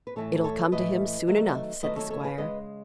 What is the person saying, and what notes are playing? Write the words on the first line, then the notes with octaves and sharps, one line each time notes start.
"It'll come to him soon enough," said the squire.
B4
A2 E3 A3 A4 C#5
A4 C#5
A2 E3 A3 B4 D#5
D#3 F#3 A3
D#3 F#3 A3 B4 D#5
A4 C#5
A4 C#5
G#4 B4
C#3 G#3 B4 D#5